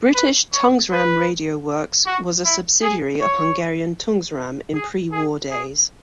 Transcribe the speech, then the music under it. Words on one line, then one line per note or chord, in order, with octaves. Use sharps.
British Tungsram Radio Works was a subsidiary of Hungarian Tungsram in pre-war days.
B4
C#5
B4
F#4
E4
G#4
C#5
G#4
G#4
G#4